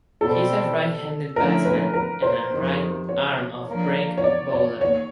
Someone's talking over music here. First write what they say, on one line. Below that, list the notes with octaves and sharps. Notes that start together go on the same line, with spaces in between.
He is a right-handed batsman and a right-arm off-break bowler.
B2 G3 C4 A4
D3 F3 A3 C#4 E4 A#4
B4
A#4
C5
F2 C3 D#3
C#5
F3 A#3 D4
C#5
D5
C#5
D#2 C#5